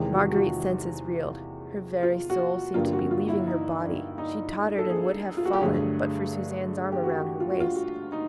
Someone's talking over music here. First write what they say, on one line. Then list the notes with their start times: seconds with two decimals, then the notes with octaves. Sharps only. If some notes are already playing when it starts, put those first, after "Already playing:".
Marguerite's senses reeled, her very soul seemed to be leaving her body; she tottered, and would have fallen but for Suzanne's arm round her waist.
Already playing: E2 C3 D#3 G#3 G4
0.12 F#4
0.32 F#4
0.37 F4
2.03 F4
2.30 F#4
2.38 F4
2.74 G2 D3 G3 A#3 F4
2.86 F4
2.93 F#4
3.11 F4
3.28 E4
3.47 D#4
3.82 D4
4.18 D#4
4.78 A4
4.90 G#4
5.37 F4
5.45 F#4
5.53 G4
5.61 G2 D3 F#3 A3 G#4
6.92 G4
7.04 F#4
7.40 F4
7.50 F#4
7.60 F4
7.76 F#4
8.12 D#4